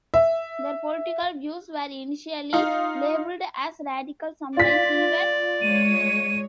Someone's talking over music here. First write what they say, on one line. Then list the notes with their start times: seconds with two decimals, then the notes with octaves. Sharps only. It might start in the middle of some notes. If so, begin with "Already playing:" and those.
Their political views were initially labeled as radical, sometimes even anarchic.
0.14 E5
2.53 D#4 F4 F5
4.57 F4 D5 B6
5.62 G#3 C#5 D#7